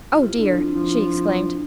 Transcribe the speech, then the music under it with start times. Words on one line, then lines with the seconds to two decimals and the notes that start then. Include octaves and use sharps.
"Oh, dear!" she exclaimed.
0.12 F4
0.19 C3 E4
0.39 D3 D4
0.57 F3 C4
0.76 F3